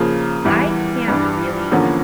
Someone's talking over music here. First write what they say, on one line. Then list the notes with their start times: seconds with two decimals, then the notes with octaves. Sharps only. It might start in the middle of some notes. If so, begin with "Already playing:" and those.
I can't really
Already playing: C#3 F3 A#3
0.45 E2 E3 G3
1.08 G2 E3 G3 D4
1.71 E2 D3 F3 A#3 C#4